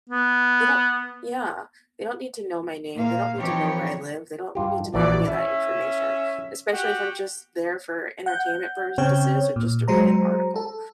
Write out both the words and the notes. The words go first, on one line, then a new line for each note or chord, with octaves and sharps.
they don't Yeah. They don't need to know my name; they don't need to know where I live; they don't need to know any of that information, especially if I'm just there for entertainment purposes or just to read an article,
B3
A#2 A#3 F5
E3 F3 C4 D#4 G4 C#5
G2 F4 G4
A#1 E3 F#4 D5
C#4 E4 E5
F#4 G4 F#5
F#5 G6
C#3 C4 C#5 G5
A#2
F#3 G#3 C5 A#5
A4